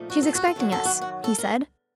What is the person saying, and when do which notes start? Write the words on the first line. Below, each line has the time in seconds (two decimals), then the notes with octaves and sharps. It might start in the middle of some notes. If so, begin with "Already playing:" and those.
"She is expecting us," he said.
Already playing: A#2 F3 A3 D#4
0.10 F#4
0.23 A4
0.35 F#4
0.48 A4
0.56 F#2 D#3 F#3 F#4
0.72 A4
0.85 F#4
1.01 F#4
1.24 A4
1.38 A#4